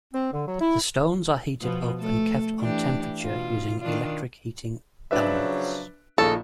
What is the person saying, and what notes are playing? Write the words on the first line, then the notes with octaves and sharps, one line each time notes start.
The stones are heated up and kept on temperature using electric heating elements.
C4
D3
F#3
E4
B2 F3 B3
A3 A4
E3 D4 G4
B2 F4
D#3 D4 F4
C#3 F3 F#3 D4 B4 E5
A#1 C#3 F3 D#4 A4 C#6